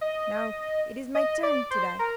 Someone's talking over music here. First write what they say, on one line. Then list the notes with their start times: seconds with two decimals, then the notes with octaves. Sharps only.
'Now it is my turn to die.
0.01 D#5
1.15 D#5
1.43 D5
1.71 C5
1.99 A#4